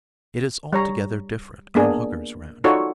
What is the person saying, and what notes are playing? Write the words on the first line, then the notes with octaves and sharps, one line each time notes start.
It is altogether different on Hooker's ranch.
G3 C#5 A#5
A#3 B3 D4 G#4
D#4 F4 F#4 A4 C#5 D5